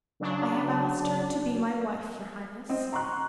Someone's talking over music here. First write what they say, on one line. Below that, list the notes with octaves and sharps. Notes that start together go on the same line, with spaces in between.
"I have asked her to be my wife, your highness."
C#3 F#3 D4
C4 D#5
A#5 C6 C#6 F#6